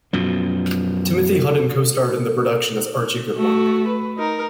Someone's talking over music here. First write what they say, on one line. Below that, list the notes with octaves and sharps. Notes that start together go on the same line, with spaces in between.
Timothy Hutton costarred in the production as Archie Goodwin.
F#2 B2 F3
A3 F#4
B4
D#4 A#4